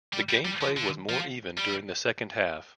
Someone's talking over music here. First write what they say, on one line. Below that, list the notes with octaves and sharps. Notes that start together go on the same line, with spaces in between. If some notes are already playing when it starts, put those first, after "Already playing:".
The game play was more even during the second half.
G3
G3
G3
F3
D3
F3
G3